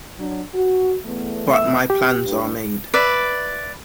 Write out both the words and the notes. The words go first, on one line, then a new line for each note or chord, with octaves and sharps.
But my plans are made.
F#3 D4
F#4
E2 A3 B3
E5 E6
G4
G2
B4 D5 E5